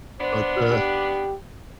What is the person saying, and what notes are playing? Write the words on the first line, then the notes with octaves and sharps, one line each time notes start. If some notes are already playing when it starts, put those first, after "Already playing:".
But the
B3 D4 C5
G4